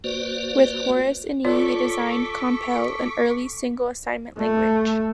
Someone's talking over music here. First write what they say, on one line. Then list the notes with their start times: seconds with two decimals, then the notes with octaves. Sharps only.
With Horace Enea, he designed Compel, an early single assignment language.
0.04 A#3 F#4 B4 C5 D5
1.45 F4 A4 C#5 D5 C#6 D6 B6
4.38 A3